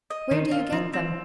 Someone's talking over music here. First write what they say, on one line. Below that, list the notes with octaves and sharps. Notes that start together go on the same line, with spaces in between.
"Where do you get them?"
D#5
D#3 C4
F4
F3 C4
C4